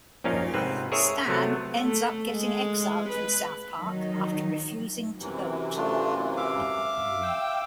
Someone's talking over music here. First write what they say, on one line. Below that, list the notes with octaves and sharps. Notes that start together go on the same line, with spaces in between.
Stan ends up getting exiled from South Park after refusing to vote.
A#1 A#2 C#4 D#4 F5
G#2 C3 C4 B4
G#4 A#4 C#5 E5
C3 F#3 A3 B3
A3
G#3
B4
D#3 F#3 D#4
F#2 C3 E3
A3 D4 F4
E5 F5 D6
G5 E6